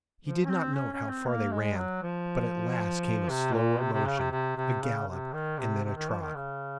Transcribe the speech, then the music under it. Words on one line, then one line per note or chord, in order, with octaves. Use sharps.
He did not note how far they ran; but at last came a slower motion, a gallop, and then a trot.
F3
C#4
C4
C#4
C#4
C4
A#3
G#3
F#3
F3
C3
A#2
C3
C3
C#3
C3
C3
C3
C#3
C3
D#3
C3
C3
D#3
F3
D#3
C#3